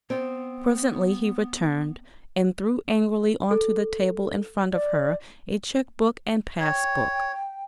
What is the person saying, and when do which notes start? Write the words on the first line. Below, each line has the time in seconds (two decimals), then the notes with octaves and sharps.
Presently he returned, and threw angrily on to the table in front of her a cheque-book and pass-book.
0.10 B3 C4
3.51 A4
4.72 D5
6.60 C#5 G5